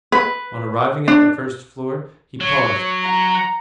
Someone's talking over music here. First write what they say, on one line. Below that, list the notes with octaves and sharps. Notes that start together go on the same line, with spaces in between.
On arriving at the first floor, he paused.
B4
D4
F#3 C#5
F#5 A#5